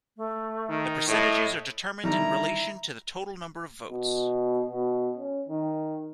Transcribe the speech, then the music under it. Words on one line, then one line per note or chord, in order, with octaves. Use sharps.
The percentages are determined in relation to the total number of votes.
A3
D#3
A2 D#5
D3 D#3 G3 E4 A#5
B2
B2
C#4
D#3